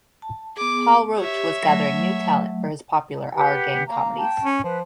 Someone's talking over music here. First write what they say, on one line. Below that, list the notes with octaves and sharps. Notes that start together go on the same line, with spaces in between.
Hal Roach was gathering new talent for his popular "Our Gang" comedies.
A5
B3 G#4 D6
G4 C#5 E5
F#3 A3
G4 B4 F#5
A#3 A#5
G5 A5
C#4
F3 B4